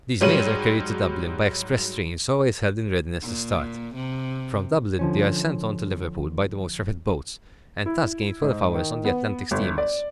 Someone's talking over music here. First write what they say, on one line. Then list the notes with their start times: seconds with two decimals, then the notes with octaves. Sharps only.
These mails are carried to Dublin by express trains always held in readiness to start; from Dublin they are sent on to Liverpool by the most rapid boats, and thus gain twelve hours on the Atlantic steamers.
0.21 G#2 F#3 G3 C#5 D#7 F#7
3.22 A#2
3.95 C3
4.99 D3 F3 C#4
7.86 E4
8.42 G#2
8.75 D#3
9.05 B3
9.51 G1
9.78 D5